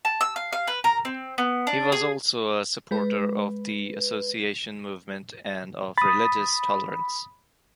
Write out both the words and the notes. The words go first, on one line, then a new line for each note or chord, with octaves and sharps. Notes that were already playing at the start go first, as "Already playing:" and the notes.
He was also a supporter of the Association Movement and of religious tolerance.
A5
E6
F5
F5
B4
A#4
C4
B3
D4
G#4
G#3 B4
B5 D#6 A6